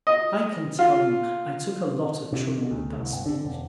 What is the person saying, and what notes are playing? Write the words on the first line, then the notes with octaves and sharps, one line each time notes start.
I can tell you I took a lot of trouble with that speech.
D#5
F4
C3
B2
D2
C2
G1
D3
E1